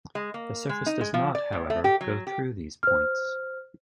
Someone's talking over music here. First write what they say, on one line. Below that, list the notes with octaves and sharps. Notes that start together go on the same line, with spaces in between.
The surface does not, however, go through these points.
G#3
A#3
G#3
D#4
G#3
F3
D5
A2
A3
G4
F#3
G4
C5 F6